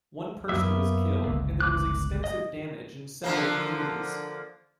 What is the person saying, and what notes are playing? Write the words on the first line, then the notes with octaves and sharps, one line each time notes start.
One person was killed and there was extensive damage in several communities.
F#2 F#3 A#3 B3 E5
G1 C#2 B2
D6 F#6
D#5
D3 F3 A#3